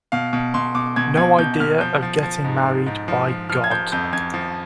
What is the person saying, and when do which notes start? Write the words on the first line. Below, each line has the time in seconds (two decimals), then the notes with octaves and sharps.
No idea of getting married, by God!
0.12 B2 F5
0.33 B2
0.54 B2 C6
0.75 B2 D6
0.96 B2 G#6
1.17 B2 G#6
1.38 B2 G6
1.60 B2 F6
1.81 F3 G6
2.02 F3
2.23 F3
2.44 G#2
2.65 G#2
2.86 G#2
3.08 F3
3.29 F3
3.49 F3 F6
3.64 G#6
3.70 F3 G6
3.92 F2 G6
4.12 F2 G#6
4.34 F3